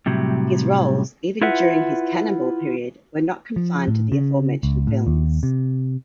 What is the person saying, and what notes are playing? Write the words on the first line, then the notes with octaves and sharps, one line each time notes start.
His roles, even during his Cannonball period, were not confined to the aforementioned films.
A2 C3 F#3 G3
E4 F4 B4 E5 F#5
F3
A2
C#3
C#2
A2
D#2
C3